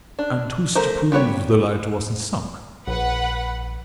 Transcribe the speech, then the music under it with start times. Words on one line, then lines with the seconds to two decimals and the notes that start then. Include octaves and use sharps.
And who's to prove the lighter wasn't sunk?
0.19 D4
0.75 F3 A3 A#4 C5
1.12 G3 B3 F#4 A#4 C#5
2.88 A#1 B4 F#5